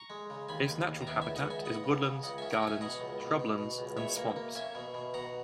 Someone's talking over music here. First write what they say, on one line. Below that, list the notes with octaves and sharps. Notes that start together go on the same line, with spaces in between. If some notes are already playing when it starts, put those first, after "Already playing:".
Its natural habitat is woodlands, gardens, shrublands, and swamps.
Already playing: A#5 C#6
G#3
C#3
D#2 G#5 B5
D#2
D#2
A#5
B3 E5 G#5
C#2 E5 G#5
D#5 F#5
C#2 E5 G#5
B3 D#5 F#5
C#3
C#3
C#2 D#5 F#5
C#4 E5 G#5
F#5 A#5
C#4 E5 G#5
B2 D#5 F#5
C#2
B2
B2
B2
C#2
B2 C#5 E5
A#3
A#3
C#4 E5 G#5
B2
B2
B2 F#5 A#5